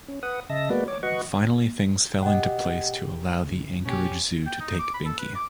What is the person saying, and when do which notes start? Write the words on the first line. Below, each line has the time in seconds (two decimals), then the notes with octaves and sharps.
Finally things fell into place to allow the Anchorage zoo to take Binky.
0.08 C#4
0.23 B4 F#5 D#6
0.49 C#3 D#5 E5 A5 A#6
0.70 G#3 A#3 B3 F#4 B4 D5
0.88 C#5 D6
1.03 F#4 B4 D#5 F#5 C#6
2.22 B2 G4 D#5 F#5 G5
3.43 D2 C#3
3.86 B1 B2 A#3 C#4 G4
4.46 G5
4.60 D#4
4.79 D6
4.94 B5
5.05 A4
5.19 B4
5.35 D6